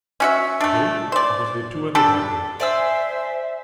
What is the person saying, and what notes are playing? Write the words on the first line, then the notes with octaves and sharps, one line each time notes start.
He did, and visited two other doctors.
C#4 F#4 E5
A3 D4
C5 D5
G3 D4 A4
C5 D5 E5 G#5 E6